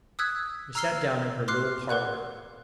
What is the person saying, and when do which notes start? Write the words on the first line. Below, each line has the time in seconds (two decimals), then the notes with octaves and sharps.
We sat down in her little parlour.
0.19 D#6 E6 F#6 G#6 B6
0.75 A#5 E6 F6 C7 G7
1.48 C6 D6 F6 F#6 C7
1.89 A#4 B4 F#5 F#6